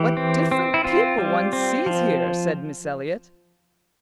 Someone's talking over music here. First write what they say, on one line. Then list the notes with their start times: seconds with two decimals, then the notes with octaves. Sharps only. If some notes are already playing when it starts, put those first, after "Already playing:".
"What different people one sees here!" said Miss Eliot.
Already playing: E3 G4
0.17 C4
0.51 C4
0.74 E4
0.84 C4 F4
1.18 G3
1.53 C4
1.86 F3